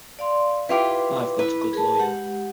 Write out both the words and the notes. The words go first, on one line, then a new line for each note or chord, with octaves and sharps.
I've got a good lawyer.
D5 F5 C6
E4 F4 G4 B4
E4 B4
G#4 A#4 A5
G#3 G4 F#5